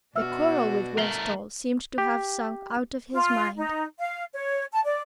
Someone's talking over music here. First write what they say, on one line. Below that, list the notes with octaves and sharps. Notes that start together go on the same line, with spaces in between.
The quarrel with Westall seemed to have sunk out of his mind.
B2 D4 F#4 E5 E6 F6
A3 A#4 C7 F#7 G7
G4
F4
D#4
F5
C#5
A5
D5